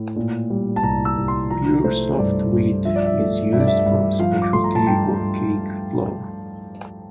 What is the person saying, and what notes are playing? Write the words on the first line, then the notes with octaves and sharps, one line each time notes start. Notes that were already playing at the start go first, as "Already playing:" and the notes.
Pure soft wheat is used for specialty or cake flour.
Already playing: A2
A#2
G3
A5
C2 A#5
E6
C2
C6
F3 A#5
A3 C5
G2 D5
G2
F3 E5
D5
E5
A3
G2 E5
D5
E5
G2
F3 F5
D6
A3 C6
A#5
A5
G2 G5
G2